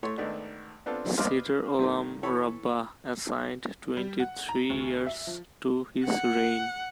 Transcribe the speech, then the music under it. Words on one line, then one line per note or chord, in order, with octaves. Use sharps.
Seder Olam Rabbah assigned twenty-three years to his reign.
A2 A3 C#5 C6
G#1 D#3 A3 B3 D4
B3 C4 D4 F4 A4
B4 C5 D5 D#5 F5 C6
G2 D3 D#3 A#3
E3 A4 C#5 B5
G3
F#5
A#5
D2
E5
F3
F#5